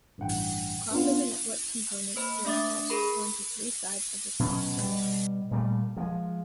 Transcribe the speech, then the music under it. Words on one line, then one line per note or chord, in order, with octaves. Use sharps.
Crossover network components were attached onto three sides of this block.
A1 G2 F#5 G5
B3 C#4 D4 F4
A#3 C5 B5
A3 D4 E5 D6 D#6 A6
G#4 A#4 B5
B2 F#3 C#4
B2 G3
A#2 G3 A3
F3 G#3